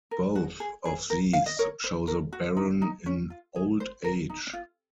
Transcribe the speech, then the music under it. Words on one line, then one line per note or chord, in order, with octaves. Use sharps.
Both of these show the baron in old age.
A#4
F#4
G#4
G#4
A#4
F5
D#5
A#4 C#5
C5
A#4
F#4
D#4
D#4
C#4
F4
G#4
C5
A#4
D#4
F4